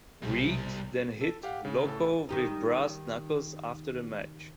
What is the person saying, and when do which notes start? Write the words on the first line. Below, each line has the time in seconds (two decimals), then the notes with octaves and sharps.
Reed then hit Loco with brass knuckles after the match.
0.23 B1 G#2 C3 G3 E4
1.21 A4
1.43 G4 F5 F#5
1.65 C#3
1.86 A2 A4
2.29 D#3 G3 D#4